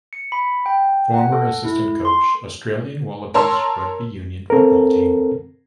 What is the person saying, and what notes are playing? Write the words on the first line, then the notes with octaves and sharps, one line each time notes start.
Former assistant coach Australian Wallabies Rugby Union Football team.
C#7
B5
G5
F#5
A4
E4
C6
A#4 C#5 A5 C6 E6
C4 A4 A#4